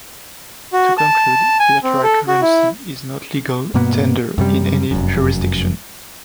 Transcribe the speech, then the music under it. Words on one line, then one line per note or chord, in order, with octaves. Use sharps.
To conclude, virtual currency is not legal tender in any jurisdiction.
F#4
A5
G#5
C4
A4
F#4
E4
G2 B2 A#3 B3
F#2 C3 G3
F1 F#2